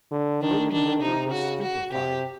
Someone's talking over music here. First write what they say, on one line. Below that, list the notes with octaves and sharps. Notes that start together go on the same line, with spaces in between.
William Roper was stupefied.
D3
D#3 D4
D#3 D4
C3 D#4
C#3 F#4
F#4
C3 G4